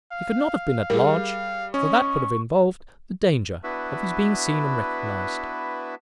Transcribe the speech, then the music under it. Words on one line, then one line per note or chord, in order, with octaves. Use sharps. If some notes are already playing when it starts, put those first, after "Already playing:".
He could not have been at large, for that would have involved the danger of his being seen and recognized.
F5
G3 G#4 A#4
C#4 D#5 C#6
B3 D4 E4 F#4 B4 E5